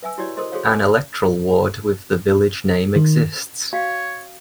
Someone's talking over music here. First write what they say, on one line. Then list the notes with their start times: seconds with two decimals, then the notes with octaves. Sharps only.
An electoral ward with the village name exists.
0.03 B4 E5 G#5 E6
0.18 E4 F#4 G4 C#5 D5
0.37 A4 A#4 C5 D#5 C6
0.52 F#4 G#4 A4 C5 C#5 F5
0.65 G#5 D6
0.79 E5 B5
2.96 D#3
3.73 F#4 C#5 F5 G5